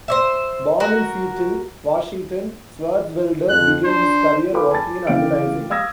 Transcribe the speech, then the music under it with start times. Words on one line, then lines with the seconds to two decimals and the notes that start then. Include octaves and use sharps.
Born in Seattle, Washington, Swartzwelder began his career working in advertising.
0.08 C5 C#5 E5
0.80 F#4 A#4
3.49 F2 F#6
3.86 D4 C5
4.53 A4 B4 F5 G5 B5 D6
4.71 G#5 A5 B5 A6
5.07 C#3 E3 E5 F5 G5 D7
5.70 F5 D#6 E6 G#6 A#6